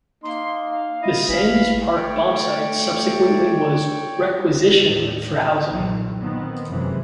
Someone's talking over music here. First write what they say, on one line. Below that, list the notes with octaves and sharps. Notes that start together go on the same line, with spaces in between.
The Sandheys Park bombsite subsequently was requisitioned for housing.
A#3 D#4 C6
F5
E4 D#5
A1 E3 F5 B5
A3 C#5 D5 G5
D#2 A2
B1 G2 A#2 E3 F#3
D#3 B3 C4
F1 F#2 C3 E3 G#3